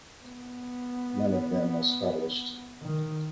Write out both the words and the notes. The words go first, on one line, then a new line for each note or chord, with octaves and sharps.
None of them was published.
B3
D#3